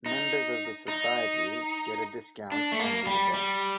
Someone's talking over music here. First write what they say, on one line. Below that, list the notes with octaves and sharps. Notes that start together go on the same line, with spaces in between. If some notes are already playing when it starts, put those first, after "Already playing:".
Members of the society get a discount on the events.
D#4
D#4
D4
A3
A#3
G3
G3